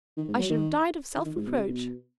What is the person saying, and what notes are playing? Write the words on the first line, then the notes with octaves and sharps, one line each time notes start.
I should have died of self-reproach.
D#3
G#2
F#3
D#3
D#3
D#3
G#2
B2
C#3
B2